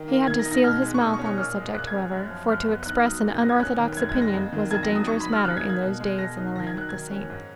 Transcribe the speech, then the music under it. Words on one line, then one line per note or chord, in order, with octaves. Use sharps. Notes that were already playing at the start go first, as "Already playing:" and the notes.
He had to seal his mouth on the subject, however, for to express an unorthodox opinion was a dangerous matter in those days in the Land of the Saints.
Already playing: D#3
A#3
D#3 G#6
A#6
D#4
A#6
B2 F6
G#3
C#6
B2 D#6
C#6
C#4
C#6
A#2 F6
G#3
A#2 F#6
G#6
C#4
F#2
F3
F#2 F6
B3
D#4 F#6
F6
F#3 D#6
A#2
B3 A#6
G#6
C#4 F#6
D#3
F#2 G#6
G#6
G#3
A#6
F2
D#3
F2 G#6
A#6
F#3
D#6
D#4 C#6
B5
F#3
F6
C#3 F#6
G#6
A#3
G#6
B2
G#3
B2 A#6
D#4
D#3 A#6
G#6
F#3 F#6
D#3 G#6
C#4
G#2